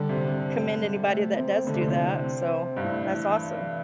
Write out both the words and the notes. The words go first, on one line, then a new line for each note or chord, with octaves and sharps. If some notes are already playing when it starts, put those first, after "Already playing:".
commend anybody that does do that, so that's awesome.
Already playing: D3 G3
C3
C3
G3
G3
A3
C4
D3 A3
C3
A2
C3
C4
G2
A2 A3
E3